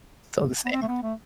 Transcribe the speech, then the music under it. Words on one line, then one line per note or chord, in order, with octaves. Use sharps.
it's all the same
B3
C4
A3
B3
A3